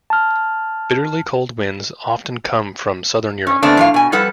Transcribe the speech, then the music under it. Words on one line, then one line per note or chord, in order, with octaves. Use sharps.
Bitterly cold winds often come from Southern Europe.
A5 F6
C#4
C#3 A3 B3 C4 D4
A2 F3 F5
B2 G#5
F2 G3 A4 B4 F#5